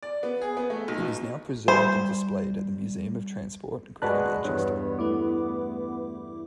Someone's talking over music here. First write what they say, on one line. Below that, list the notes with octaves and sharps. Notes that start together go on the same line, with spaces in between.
It is now preserved and displayed at the Museum of Transport, Greater Manchester.
D5
B3
G#4
B3
A3
B1
B2
G3 C5
G#3 F#4 B4 D5 A5 B5 F#6
E2 G2 B3 C#5
A3 E4 D6